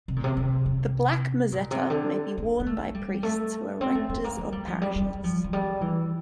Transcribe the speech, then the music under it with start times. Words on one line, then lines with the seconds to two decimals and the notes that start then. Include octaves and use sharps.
The black mozzetta may be worn by priests who are rectors of parishes.
0.08 C3
0.16 A#2
0.24 C3
0.37 C3
0.66 C3
1.52 A#2
1.71 C3
1.90 D3
2.38 A#3
2.60 A#3
2.66 A3
2.94 G3
3.23 A3
3.81 C4
3.95 A3
4.10 A3
4.24 A#3
4.38 A#3
4.52 G3
4.67 F3
4.82 G3
4.96 G3
5.24 F3
5.44 F3
5.53 G3
5.81 E3